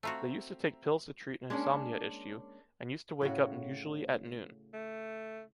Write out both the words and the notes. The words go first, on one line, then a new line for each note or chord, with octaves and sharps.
They used to take pills to treat an insomnia issue, and used to wake up usually at noon.
A3 C4 F4 F#4 E5 A#5
G#3 A#3 C#4 D4
A2 C#3 F#4
A3